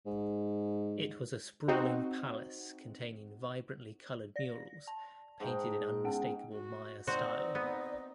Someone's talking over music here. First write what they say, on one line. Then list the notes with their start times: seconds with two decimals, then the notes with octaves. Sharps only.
It was a sprawling palace containing vibrantly colored murals painted in unmistakable Maya style.
0.06 G#2
1.68 C4 D#4 F#4
4.36 D5 A#6
4.87 A5
5.40 G#2 G5 A#5
6.04 B3 C#4 F#5
6.54 F#4
7.07 C4 D#4 F#4 D5
7.55 B3